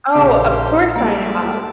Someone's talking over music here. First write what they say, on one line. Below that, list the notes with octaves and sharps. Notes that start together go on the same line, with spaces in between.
Oh, of course, I have.
A#1 C#3 D#4 G4 C5
G3 G#3 A#3 A4 D5 E5